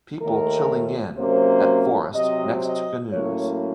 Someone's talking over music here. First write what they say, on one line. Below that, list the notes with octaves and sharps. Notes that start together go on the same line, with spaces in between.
People chilling in at forest next to canoes.
D#2 D#3 A3 A#4
C3 F#3 A#3 C#4 C5
C3 F#3 C4 D#5
D#5
A2 F#3 A#3 C#4 C#5